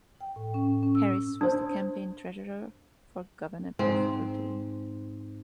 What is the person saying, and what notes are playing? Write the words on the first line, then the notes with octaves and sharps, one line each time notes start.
Harris was the campaign treasurer for Governor Bev Perdue.
G5
A2
C#4
C#4
E6
D4 C5
G#2 C4